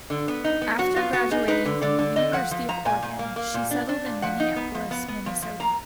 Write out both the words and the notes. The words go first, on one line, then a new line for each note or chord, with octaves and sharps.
After graduating from the University of Oregon, she settled in Minneapolis, Minnesota.
D3
B3
D#4
B3
F#3 F#4
B3 F4
B3 F#4
D#4 G#4
D#4 B4
D3
D3 D5
D3
D3 D#5
F3 F#5
F3
F3 A#5
A#2 G#5
A#2
A#3
A#3
A#2
D4
D4
A#2
F3 F#5
D#4
B3
F3
B3
B3
F3
F3
A#3 A#5